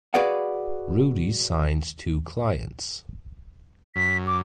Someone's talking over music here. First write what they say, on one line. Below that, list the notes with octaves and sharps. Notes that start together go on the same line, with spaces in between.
Rudy signs two clients.
F#4 G#4 B4 D5 F5 F#5
F#2 B6
D6